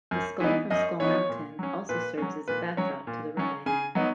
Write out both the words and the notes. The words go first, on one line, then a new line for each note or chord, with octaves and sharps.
The skull from Skull Mountain also serves as a backdrop to the ride.
F#2
E3 B3 D#4
F#2 D#5
E3 B3 D#4 C#5
A#2
F#3 C#4
A#2 B4
F#3 C#4
A#2 B4
F#3 C#4 C#5
A#2
F#3 C#4
C#3 G#5
F#3 B3 D#4